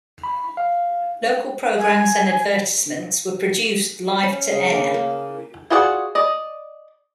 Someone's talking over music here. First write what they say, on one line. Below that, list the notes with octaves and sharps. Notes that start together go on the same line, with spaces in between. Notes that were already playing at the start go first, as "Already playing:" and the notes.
Local programs and advertisements were produced live to air.
B5
F5
G#5
C#4
C#3
A#3
A#3
F4 F#4 G#4 D5 F#5
D5 D#5